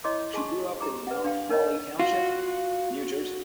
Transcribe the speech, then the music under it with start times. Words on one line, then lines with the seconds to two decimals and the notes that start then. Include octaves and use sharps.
She grew up in Mount Holly Township, New Jersey.
0.04 E4 C#5 D#5 C6 D6
0.34 G#4 G#5 A5 C6 C#6
0.81 G4 A#5 D6
1.07 B4 F#5
1.24 D4 F5 G5
1.49 D#4 A#4 C#5 D#5
2.00 F4 F#4